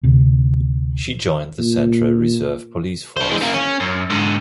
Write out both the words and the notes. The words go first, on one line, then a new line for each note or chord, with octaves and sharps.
She joined the Central Reserve Police Force.
D2 C3
A#2
D4 C5
E3 G#3
C#3 A#3
C#4
F#2
G#2 D3